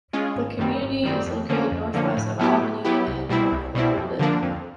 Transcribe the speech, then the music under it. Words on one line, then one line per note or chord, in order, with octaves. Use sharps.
The community is located northwest of Albany and north of Holden.
G#3 C#4 F4 G#4
G#1
F#2 D#3 G3 C4
G#1
F#2 D#3 G3 C4
F2
D3 F3 A#3 C#4
F2
D3 F3 A#3 C#4
A2
F#3 B3 E4 G4
A2
F#3 B3 E4 G4
C2
B2 G3 C4 E4
C2
B2 G3 C4 E4
F2
D3 F3 A#3 D4
F2